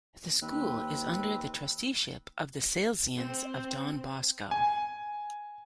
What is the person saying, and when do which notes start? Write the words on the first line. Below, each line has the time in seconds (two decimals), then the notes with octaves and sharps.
The school is under the Trusteeship of the Salesians of Don Bosco.
0.42 D#2 C4 B4
3.17 C4
4.51 G#5